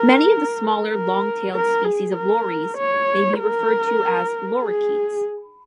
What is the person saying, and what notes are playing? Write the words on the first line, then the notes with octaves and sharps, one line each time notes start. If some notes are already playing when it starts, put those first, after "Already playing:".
Many of the smaller, long-tailed species of lories may be referred to as "lorikeets".
Already playing: A#4
A#4
A#4
G#4
A#4
C#5
A#4
G#4